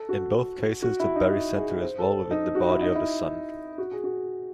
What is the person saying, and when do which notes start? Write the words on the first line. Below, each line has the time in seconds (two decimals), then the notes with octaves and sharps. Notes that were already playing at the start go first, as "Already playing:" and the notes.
In both cases the barycenter is well within the body of the Sun.
Already playing: A4
0.09 F#4
0.82 F#4
1.00 E4
1.16 D#4
1.32 E4
1.57 G#4
1.81 C5
1.98 A4
2.31 D#4
2.55 F#4
2.69 E4
2.82 D#4
2.95 E4
3.78 F#4
3.92 G#4
4.04 F#4